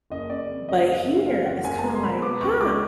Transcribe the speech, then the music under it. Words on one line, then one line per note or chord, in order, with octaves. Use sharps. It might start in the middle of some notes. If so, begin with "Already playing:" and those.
but here it's kinda, like, "Huh,
F#1 D#5
C#3 D5
F2
F#1 D#5
F#1
C#3 E5
F2 F5
F#1 F#5
F#1 G#5
A5
G#3 A#5
C6
B2 B5
B3 D6
C#2 C#6
G#3 D6